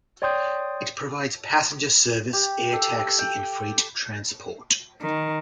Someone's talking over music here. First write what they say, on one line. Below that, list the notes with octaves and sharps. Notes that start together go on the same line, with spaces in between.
It provides passenger service, air taxi, and freight transport.
C#5 D5 G5 C6 D#6 G6
G4
A4
G5
D#3